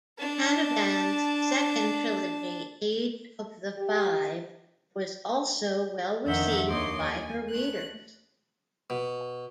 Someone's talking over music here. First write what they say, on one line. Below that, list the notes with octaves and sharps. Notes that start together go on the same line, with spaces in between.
Canavan's second trilogy, "Age of the Five", was also well received by her readers.
D4 A5
G4
F2 D3 D#3 E5 F#5 G6
D#2 D3 C#5 D#5 C6 D6
G#5
A3 F#6
B2